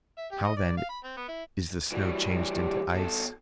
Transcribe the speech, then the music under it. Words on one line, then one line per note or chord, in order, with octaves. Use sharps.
"And how, then, is the snow changed into ice?"
E5
G4
D#5
D5
F5
B5
C4
B3
E4
E3 G3 F#4
G4
B2 A4